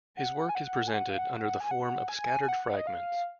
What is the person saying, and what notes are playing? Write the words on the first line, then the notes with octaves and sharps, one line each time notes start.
His work is presented under the form of scattered fragments.
F#5
G#5
F#5
G#5
F#5
F5
F#5
F#5
G#5
F#5
G#5
G#5
F#5
D#5
F5